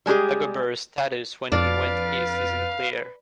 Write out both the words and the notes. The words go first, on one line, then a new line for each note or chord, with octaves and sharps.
Dagobert's status when he went east is unclear.
G3 G#3 A#3 G4 G#4
F2 D4 B4 F5 A6 D7